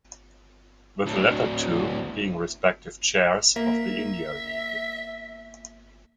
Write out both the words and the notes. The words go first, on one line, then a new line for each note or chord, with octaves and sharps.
With the latter two being respective Chairs of the India League.
D2 F#3
A#3 E5